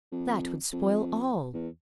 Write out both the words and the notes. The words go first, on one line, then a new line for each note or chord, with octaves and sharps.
'That would spoil all.
F2
F2
E2